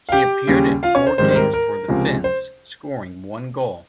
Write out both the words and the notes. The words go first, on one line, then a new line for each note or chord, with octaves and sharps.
He appeared in four games for the Finns, scoring one goal.
F5
G4 G5
D#2 C#3 G3 C#4
F4 F5
C#4 C#5
C5
G#2 D#3 G3 C4 C5
C5
A#4
A#4
C#2 C3 F3 G#3 C#4
C5